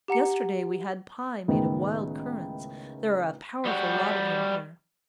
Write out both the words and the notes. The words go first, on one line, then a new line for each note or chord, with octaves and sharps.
Yesterday we had pie made of wild currants; there are a powerful lot of them here.
G4 F#5 A#5 C#7
C#2 A2 D#3 B3
G3 F#4